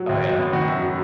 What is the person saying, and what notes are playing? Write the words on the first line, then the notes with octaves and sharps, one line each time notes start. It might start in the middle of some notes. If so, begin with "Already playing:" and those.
Oh, yeah.
Already playing: F#3
D#2
F#3
B3
D#3 F#4
F#2
F#3